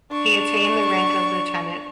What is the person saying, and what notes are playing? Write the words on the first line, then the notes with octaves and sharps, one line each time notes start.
He attained the rank of Lieutenant.
D4 C#6